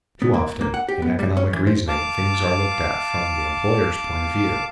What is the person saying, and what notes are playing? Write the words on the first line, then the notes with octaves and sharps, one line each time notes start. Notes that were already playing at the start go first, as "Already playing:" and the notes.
Too often, in economic reasoning, things are looked at from the employer's point of view.
B3
A#3
A#3
F#5
G4
B3
G3
C#4
E3
C5
F5 A5 D6